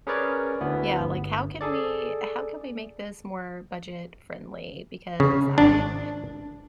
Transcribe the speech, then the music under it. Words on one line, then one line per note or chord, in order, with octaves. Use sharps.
Yeah, like, "How can we how can we make this more budget-friendly, because I
C#4 G#4 A#4 B4 C#5 D5
D2 B3 E4
G1
G#4 A4 D5
C#3
G#1 D4